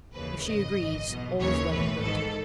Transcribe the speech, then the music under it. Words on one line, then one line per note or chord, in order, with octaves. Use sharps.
If she agrees, all is well and good.
D#2 C#3 E3 B4
G#1 F#2 C#3 D#5
G#1 G#2 E3
B1 B2
D#2 C#3 E3 C#5
B1 A2 E3 B4
G#1 G#2 D#3 A4